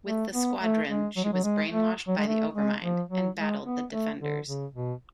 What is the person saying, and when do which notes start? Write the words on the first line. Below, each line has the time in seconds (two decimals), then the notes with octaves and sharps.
With the Squadron, she was brainwashed by the Overmind, and battled the Defenders.
0.06 A3
0.34 B3
0.61 A3
0.88 G#3
1.17 F#3
1.24 G#3
1.33 F#3
1.43 G#3
1.71 A3
2.08 F#3
2.17 G#3
2.27 A3
2.54 G#3
2.82 F3
3.09 F#3
3.37 G#3
3.64 B3
3.91 A3
4.19 D3
4.46 C#3
4.74 B2